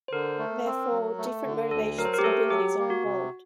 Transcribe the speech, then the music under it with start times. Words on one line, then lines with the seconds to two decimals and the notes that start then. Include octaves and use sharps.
Therefore, different motivations and abilities are involved.
0.08 C5
0.12 D3 A#4
0.39 A3
0.65 C4
0.91 F#3
1.18 A3
1.45 D3
1.71 D2 A4
1.98 F#3 A#4
2.05 C5
2.14 A#4
2.19 G4
2.24 A3 A4
2.50 F#3 G4
2.78 A#3
2.90 F#4
3.04 C3